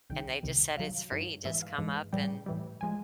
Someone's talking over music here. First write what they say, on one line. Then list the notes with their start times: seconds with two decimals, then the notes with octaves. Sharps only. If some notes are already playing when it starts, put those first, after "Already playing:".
and they just said "It's free, just come up and"
0.10 C2 C3 D#3 G5
0.43 C2 C3 D#3
0.77 G2 D#3 F#3 F5
1.12 G2 D#3 F#3
1.45 G#2 E3 G#3 E5
1.62 F5
1.78 G#2 E3 G#3
2.13 A2 E3 G3 G5
2.46 A2 E3 G3
2.81 F3 G#3 G#5